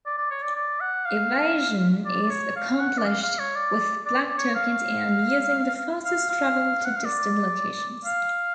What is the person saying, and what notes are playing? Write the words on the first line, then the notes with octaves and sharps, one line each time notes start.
Evasion is accomplished with black tokens and using the fastest travel to distant locations.
D5
D5
C#5
D5
D5
F#5
F5
D5
D5
C#5
F5
F#5
D5
F5
F5
C#5
D5
D5
D5
C#5
F5
F5
F5
F#5
F5
D5
F5